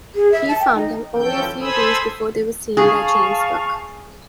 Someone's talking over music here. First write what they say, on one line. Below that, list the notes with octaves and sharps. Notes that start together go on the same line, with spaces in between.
He found them only a few days before they were seen by James Cook.
G#4
E5
A5
G5
D#4
E3 F3 C#4 A4 G5 G6
A4 C5 G#5 B5 D#6 E6
G#4 F5 A5 C#6